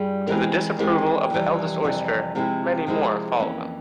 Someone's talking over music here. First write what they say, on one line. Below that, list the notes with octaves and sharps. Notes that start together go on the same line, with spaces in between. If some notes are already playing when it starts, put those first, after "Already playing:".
To the disapproval of the eldest oyster, many more follow them.
Already playing: G2 G3 F4 G#4
E3 G#3 C4 G4 A#4
E3 G#3 C4 G4 A#4
F2 C3 E3 G3
F2 C3 E3 G3
C3 F3 G#3 C4 E4
C3 F3 G#3 C4 E4
F2 E3 A#3 C#4